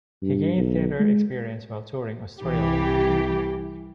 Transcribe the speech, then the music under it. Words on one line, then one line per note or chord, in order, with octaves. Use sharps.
He gained theatre experience while touring Australia.
G2
B1
G#3
C2 E3 G4